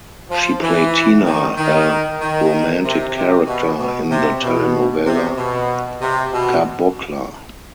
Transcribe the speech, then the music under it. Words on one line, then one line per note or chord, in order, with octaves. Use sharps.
She played Tina, a romantic character, in the telenovela Cabocla.
F3
E3
D#3
D#3
D#3
C3
C3
B2
B2
C3
B2
C3
B2
C3
B2